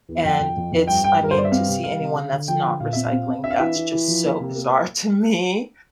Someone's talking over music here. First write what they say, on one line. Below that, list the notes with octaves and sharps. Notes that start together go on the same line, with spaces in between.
and it's I mean, to see anyone that's not recycling, that's just so bizarre to me,
E2
F2 G5
F2
F2
F2
G2 G5
G2 G5
G2 A#4
C5
G2 D5
E5
C4 F5
C3
G3 F5
C3
D3
D3
F3 G5
D3
A#2 F5
C4 E5
F5
C4
C4
D4 E5
F5
E3 E5
E3
E3
F3
A#3
C3
A#3